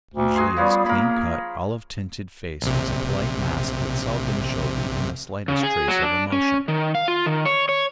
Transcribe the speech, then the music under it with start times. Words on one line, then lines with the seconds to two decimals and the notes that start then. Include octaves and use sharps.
Usually his clean-cut, olive-tinted face was a polite mask that seldom showed even the slightest trace of emotion.
0.14 D2
0.36 F#4 G#4 C6
0.57 F3 G3 B3 C#4
0.86 A#3 A#4 B5
2.62 A#1 C3
5.48 C#3
5.63 G#4
5.88 F#3
6.03 D4
6.32 C#4
6.68 D#3
6.95 F5
7.08 F4
7.26 D#3
7.46 C#5
7.69 C#5